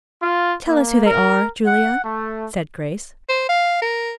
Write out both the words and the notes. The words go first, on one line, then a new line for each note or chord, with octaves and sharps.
"Tell us who they are, Julia," said Grace.
F4
A#3
A#4
F#5
A3
C5
F5
A#4